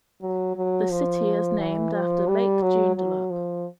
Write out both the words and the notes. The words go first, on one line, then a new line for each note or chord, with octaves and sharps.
The city is named after Lake Joondalup.
F#3
F#3
F3
E3
F3
G3
F#3
F#3
F3